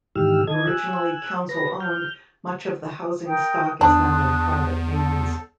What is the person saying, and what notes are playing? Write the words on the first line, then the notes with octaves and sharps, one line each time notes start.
Originally council owned, much of the housing stock is now in private hands.
G#2 D#3 E3 G4 E6 F6
D#3 A4 D#5 G#6
G#5 E6 F#6
B4 A#6
F6 G6
A#4 G5 D#6
E2 D4 A5 D#6 F#6
A4